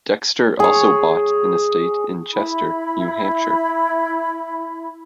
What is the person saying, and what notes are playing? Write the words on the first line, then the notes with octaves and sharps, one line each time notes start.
Dexter also bought an estate in Chester, New Hampshire.
G#4 C#5
E4 B5